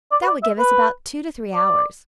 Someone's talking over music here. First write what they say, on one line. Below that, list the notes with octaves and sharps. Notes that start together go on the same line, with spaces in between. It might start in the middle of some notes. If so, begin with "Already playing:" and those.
That would give us about two to three hours.
D5
B4
D5
E5
B4
D5